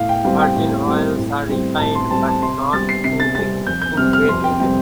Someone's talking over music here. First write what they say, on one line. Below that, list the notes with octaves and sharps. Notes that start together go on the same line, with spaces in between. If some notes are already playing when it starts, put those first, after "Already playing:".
Virgin oils are refined, but not to a food-grade level.
Already playing: A2 F5
G5
G3 C4 F5
G5
A2
G3 C4
A2
G3 C4
A2 A5
C6
G3 C4 A5
A5
C3 C6
G3 C4 A6
C7
C3 C7
A6
G3 C4 A6
F2 G6
G6
C3 G3 C4 F6
F6
F2 C6
G5
C3 G3 C4 G5